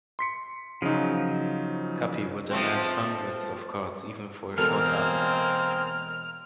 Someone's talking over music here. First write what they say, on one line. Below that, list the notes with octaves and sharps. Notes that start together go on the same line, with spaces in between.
Cuppy would amass hundreds of cards even for a short article.
C6 B6 C#7
C#3 F3 F#3 D#4
F3 A3 C4
E1 G#3 A#3 C4 A4 A#4 F6